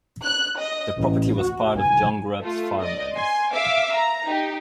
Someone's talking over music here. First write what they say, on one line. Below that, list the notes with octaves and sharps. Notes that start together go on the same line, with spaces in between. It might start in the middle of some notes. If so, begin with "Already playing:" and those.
The property was part of John Grubb's farmlands.
F#6
D#5
A1
F#4
G#5
A3 F4
D5 D#5
G#5 C6
E5 F5 D6 E6
A#5
D#4 G4